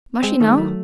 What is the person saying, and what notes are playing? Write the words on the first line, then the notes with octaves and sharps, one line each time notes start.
"Must she know?"
G#3 C4
D#3 A3
G#3
F#3 A3